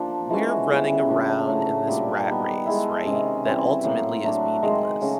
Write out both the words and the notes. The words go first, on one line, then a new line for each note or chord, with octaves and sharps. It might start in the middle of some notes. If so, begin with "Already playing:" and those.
we're running around in this rat race, right, that ultimately is meaningless,
Already playing: F3 A#3 D4
E3 G#3 C#4 F#4
C#3 E3 G3 B3
C#3 F3 A#3 D4
A2 F#3 A3
A#2 G3 A#3 D4
D#3 G3 B3
G#3 B3 E4 A4
C3 D#3 G#3 C#4
E3 G3 C4
A2 F#3 A#3
F#3 A3 D4
D#3 G#3 C4
C#3 F#3 A3